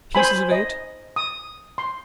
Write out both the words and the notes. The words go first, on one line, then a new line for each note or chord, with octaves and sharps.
Pieces of eight!
C5 G#5 B5
D#5
D#6
C6